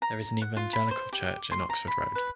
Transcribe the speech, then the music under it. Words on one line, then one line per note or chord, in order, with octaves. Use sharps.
There is an Evangelical church in Oxford Road.
A#5
F#5
F4
B5
C5
G4
C6
A#5
B5
B4